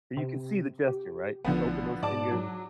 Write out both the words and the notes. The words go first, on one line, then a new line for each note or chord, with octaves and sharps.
But you can see the gesture, right? Just open those fingers.
C3
G4
A1 D3 F3 B3
G#2 D5 A5 D6
F#3